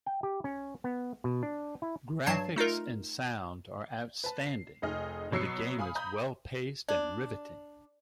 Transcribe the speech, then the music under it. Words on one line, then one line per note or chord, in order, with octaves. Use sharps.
Graphics and sound are outstanding, and the game is well-paced and riveting.
G5
G4
C#4
B3
B2
D4
E4
G2 F#3 A5 G#6 C7
A3 D#4 F4 A#4
B4 A5
C7
F1 D#4 G#4 D#5 F6
B2 F#3 E6 C7 C#7
F5 G#5 B5 D#6
A#5 B5 D#6 G6
D4 D5